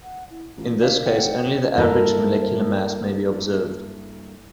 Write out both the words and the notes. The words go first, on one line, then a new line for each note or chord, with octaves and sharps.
In this case only the average molecular mass may be observed.
F#5
E4
A1 F4
D#2 A#4 D5 F5
F1 F#5 G5
F#2 C#5
G2 F#3 A#3 E4 A4 A#4